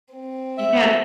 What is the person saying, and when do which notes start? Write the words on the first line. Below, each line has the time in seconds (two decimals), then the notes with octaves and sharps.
You can't.
0.14 C4
0.58 E5